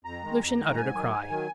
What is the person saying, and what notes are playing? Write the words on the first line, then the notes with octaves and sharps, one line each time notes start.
Lucian uttered a cry.
F2 A#5
D#3 G#3
F2
D#3 G#3
G#2 G#5
D#3 F#3
G#2
D#3 F#3